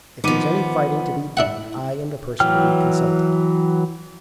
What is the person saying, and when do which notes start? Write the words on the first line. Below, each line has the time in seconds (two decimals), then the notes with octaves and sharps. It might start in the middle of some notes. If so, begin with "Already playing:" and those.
If there is any fighting to be done, I am the person to be consulted.
0.24 D#3 F3 B3 D6 D#7
1.37 A2 D4 E5 F#5
2.40 E3 F#3 G5 F6